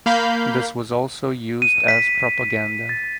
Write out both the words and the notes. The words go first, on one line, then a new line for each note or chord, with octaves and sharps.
This was also used as propaganda.
A#3 F5 B5 G6
D#7
B6
A6